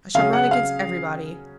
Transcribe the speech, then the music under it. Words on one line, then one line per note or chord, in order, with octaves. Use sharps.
I shall run against everybody.
C#3 F#3 C#4 G#4 F5
F#5
F5